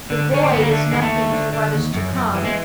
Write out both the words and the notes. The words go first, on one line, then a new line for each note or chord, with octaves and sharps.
"The Void is nothing to what is to come."
D3
D3 C#4
C4
D2 B3
A#3
D3 A3
D#2 G#3
A3
D#2
D3
D3
D#2
F#2
F#2
E3
G#3